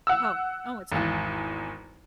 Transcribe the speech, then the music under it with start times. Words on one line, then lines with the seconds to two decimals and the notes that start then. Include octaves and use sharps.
Oh, oh, it's an
0.07 F#5 E6
0.92 G#1 E2